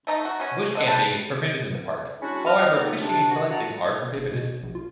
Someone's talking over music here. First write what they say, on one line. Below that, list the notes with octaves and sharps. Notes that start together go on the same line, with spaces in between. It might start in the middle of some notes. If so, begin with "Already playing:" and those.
Bush camping is permitted in the park, however fishing and collecting are prohibited.
A3 D#4 A#5
F#4
B2 C#4
D3 D#5 F#5
G4 B4 A5
G#3 C#4 D4 E4 F#4
B3 D#5 F6
F#3 G3 A#3 C4 D#4 F4
C3 D4
F#4
F4 F#4 D5 F#5 A5 A#5
F#1
B2
A#1
F4